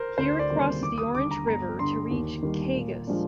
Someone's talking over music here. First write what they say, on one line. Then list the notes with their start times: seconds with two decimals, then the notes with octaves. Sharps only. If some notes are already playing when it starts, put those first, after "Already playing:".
Here it crosses the Orange River to reach Koegas.
Already playing: A#4 C5
0.18 D2 C5
0.39 D5
0.50 C3 D#3 G3 A#3
0.60 C6
0.82 D#2 D6
0.98 D#6
1.14 D3 G3 D6
1.31 A#5
1.47 G1 A#5
1.79 G2 D3 C6
2.11 D#2
2.43 D#3 G3 A#3
2.76 A#2
3.07 F3 G#3 D4